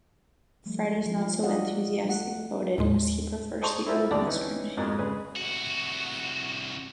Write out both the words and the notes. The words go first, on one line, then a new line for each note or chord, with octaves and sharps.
Fred is not so enthusiastic about it as he prefers the old Mystery Machine.
F3 G3 A3
F3
F4 F#4 D5 D#5 F5 F#5
A3 F#5
D#2 A2 G#3
G#4 C5 D#5 A5 C6 C#6
E4 F4 A4 A#4 C5 E5
D#2 D3 G3 D5 A5
E3 C#4 D#4
F2 G#2 F#3 G#3 A#3
C#3 G#3 G#4 B4
C2 F#4